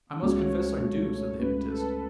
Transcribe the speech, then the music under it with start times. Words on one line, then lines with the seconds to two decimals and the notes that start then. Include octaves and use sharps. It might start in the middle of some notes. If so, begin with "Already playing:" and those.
"I must confess I do," said the hypnotist.
0.22 C#2 C#3 F#3 A3 C#5
0.81 C#2 C#3 F#3 A3
1.38 C#2 C#3 F#3 A3 B4
1.67 A4